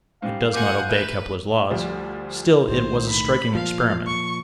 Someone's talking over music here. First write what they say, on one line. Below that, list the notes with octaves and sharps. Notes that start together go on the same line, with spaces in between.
It does not obey Kepler's laws; still it was a striking experiment.
G#2 G3 F5
F4 A#4 F#5 G#5 D6 F#6 G6
A1 B4
D2 F3 G3
B1 A2 D#3 C5
B5
A#2 F3 F5
C#6